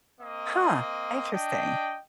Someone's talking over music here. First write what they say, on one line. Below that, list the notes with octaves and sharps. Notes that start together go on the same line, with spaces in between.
Huh. Interesting.
A#3 C4 D#5
D4 D#5 G5